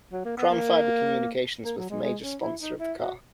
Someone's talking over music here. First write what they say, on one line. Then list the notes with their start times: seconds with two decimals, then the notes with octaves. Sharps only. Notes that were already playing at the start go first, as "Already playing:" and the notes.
Crown Fiber Communications was the major sponsor of the car.
0.12 F#3
0.25 A#3
0.37 B3
0.50 A#3
1.64 A#3
1.77 F#3
1.90 G#3
2.03 G#3
2.23 C#4
2.41 E4
2.61 D#4
2.79 E4
2.99 F#4